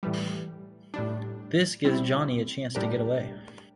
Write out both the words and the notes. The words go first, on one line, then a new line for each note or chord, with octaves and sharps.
This gives Johnny a chance to get away.
A2 E3 G3
A2 G3 D4
G3 C4 E4
A2 G3 D4 G4 A#4